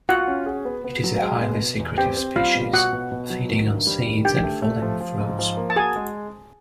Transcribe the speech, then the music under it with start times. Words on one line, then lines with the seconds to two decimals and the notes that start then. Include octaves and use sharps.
It is a highly secretive species, feeding on seeds and fallen fruits.
0.09 F4 F#4 F#5
0.28 C#4
0.46 G#4
0.65 B3
0.85 B3
1.04 F#3
1.22 G#3
1.41 B2
1.60 B2
1.79 E2
1.98 C4 G4 G5
2.17 C4
2.36 G3 F4 F5
2.55 B2
2.73 B2 F#4 F#5
2.93 B2
3.12 B2
3.30 F#3
3.49 D#3
3.68 G2
3.87 G3
4.07 D#3
4.25 D3 G4 G5
4.44 A3
4.62 A3
4.82 F3
5.00 F3
5.20 G#2
5.39 F3
5.57 A#3
5.70 A5
5.76 F#4 G#4 G#5
5.96 G#3